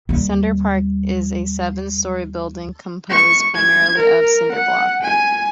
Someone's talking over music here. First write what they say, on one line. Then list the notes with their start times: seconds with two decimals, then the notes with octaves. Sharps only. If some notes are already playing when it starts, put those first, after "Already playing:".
Center Park is a seven-story building, composed primarily of cinder block.
0.09 D#2 G3
3.10 C#6
3.54 G#6
3.97 A#4
4.52 F#5
5.02 G#5